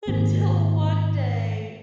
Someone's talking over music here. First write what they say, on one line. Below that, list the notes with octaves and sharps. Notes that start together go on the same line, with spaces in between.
Until one day,
G#2 D#3 A#3 C4